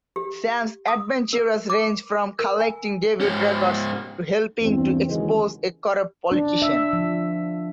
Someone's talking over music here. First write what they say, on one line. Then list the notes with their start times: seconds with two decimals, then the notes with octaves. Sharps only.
Sam's adventures range from collecting debut records to helping to expose a corrupt politician.
0.16 G4
0.88 D#6
1.33 A#4
1.70 D6
2.39 A#4
2.60 G#5
3.21 G#2 C#4
4.61 E2 G2 C4
5.08 D#2 C#3 E3 F#3 G#3
6.32 D4
6.62 E5
6.93 F3